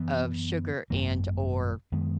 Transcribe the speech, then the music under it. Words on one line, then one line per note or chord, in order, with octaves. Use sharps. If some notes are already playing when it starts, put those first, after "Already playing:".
of sugar and/or,
Already playing: F#2 E3 B3
G#1 F#2 D#3 A#3
F#2 D#3 G#3 B3